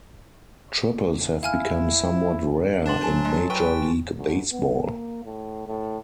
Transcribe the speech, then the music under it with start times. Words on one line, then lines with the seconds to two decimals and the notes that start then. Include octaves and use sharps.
Triples have become somewhat rare in Major League Baseball.
1.43 E4 F5 G#5 F6
2.86 D4 C6 A6 E7
3.02 F#3 G#5 A5
3.25 G#3
3.50 A2 B4 G5 C#6
4.18 D2
4.51 B3
4.84 A#3
5.25 A2
5.67 A2